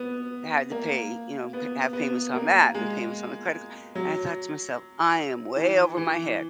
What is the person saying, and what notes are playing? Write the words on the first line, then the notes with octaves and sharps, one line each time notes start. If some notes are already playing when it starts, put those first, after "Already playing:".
had to pay, you know, p have payments on that, and the payments on the credit ca and I thought to myself, "I am way over my head."
Already playing: B3
A#3
B3
B3
A#3
G#3
F#3
E3
E3